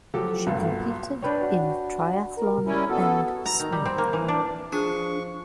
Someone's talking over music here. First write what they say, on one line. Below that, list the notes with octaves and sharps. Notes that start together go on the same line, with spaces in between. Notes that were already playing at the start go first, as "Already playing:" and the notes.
She competed in triathlon and swimming.
F3 F#3 G4 A4
B1 G2 A#2 A4
D4 B4 C#5 G5
F#4
A#4
G3 C#4 E4
B3 F#4 A4
A#5
D#3
G3
C4
A#3
E3
D4
F3 D4 G#4 C#6